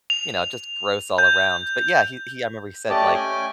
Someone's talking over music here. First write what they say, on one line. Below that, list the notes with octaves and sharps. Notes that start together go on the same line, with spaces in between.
you know, just gross all around. But, yeah, he he I remember he said, like,
F7
G6
A3 C#4 G4 D5 D#5 A5
C#4 G5 G#5